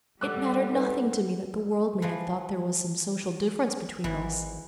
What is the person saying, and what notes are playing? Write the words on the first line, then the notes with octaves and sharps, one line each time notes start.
It mattered nothing to me that the world may have thought there was some social difference between us.
G3 A4 F#5 D6 E6 F#6
D#4 B4
E3 F3
G#1 E3